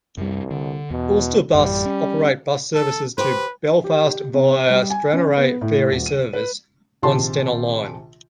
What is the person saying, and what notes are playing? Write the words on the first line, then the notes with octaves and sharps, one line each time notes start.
Ulsterbus operate bus services to Belfast via Stranraer Ferry service on Stena Line.
C2 F#2 G3
D3
E2 B2
A1 F#2 G3
C#4
A4
G4 B4 C5
G4
C3
C5
G3
G#5
C#4
B3
A2
D#1
D#7
B4
A#1 C3 D#3 G4 A5 C6